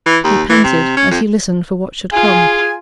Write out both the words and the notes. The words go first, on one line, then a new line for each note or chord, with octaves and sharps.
He panted as he listened for what should come.
E3
D#2
E3
C3
C#4
F2
F4 G#4 G#5